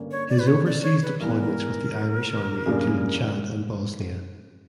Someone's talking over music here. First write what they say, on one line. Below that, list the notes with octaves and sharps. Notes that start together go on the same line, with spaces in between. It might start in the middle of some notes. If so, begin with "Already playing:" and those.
His overseas deployments with the Irish Army included Chad and Bosnia.
Already playing: G2 D3 A#3 C#4
C#5
D5
B4
C#5
D5
C#5
B4
G2 E3 B3 A#4
B4
A#4
F#2 C#3 G3 A#3 D4